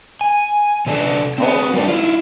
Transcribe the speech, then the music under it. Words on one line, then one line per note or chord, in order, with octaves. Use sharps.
Cars are long.
G#5
C3 A3 D4 D#4 A4 B4
C4 B4
G3 A3 D4
E4 F4